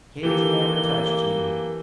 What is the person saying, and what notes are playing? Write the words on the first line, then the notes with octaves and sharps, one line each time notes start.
Cage never touched you!
E3 A#3 G4 A4 G7